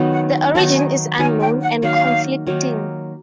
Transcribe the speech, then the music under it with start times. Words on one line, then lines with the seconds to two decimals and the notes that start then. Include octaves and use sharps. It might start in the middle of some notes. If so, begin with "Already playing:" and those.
The origin is unknown and conflicting.
Already playing: D#3 F#3 B3 D#4
0.12 F#5
0.55 D#3 F#3 B3 D#4 A5
0.76 G#5
1.19 D#3 F#3 A#3 D#4 G#5
1.40 G5
1.61 F#5
1.82 D#3 F#3 A#3 D#4 F5
2.47 D#3 F#3 A#3 D#4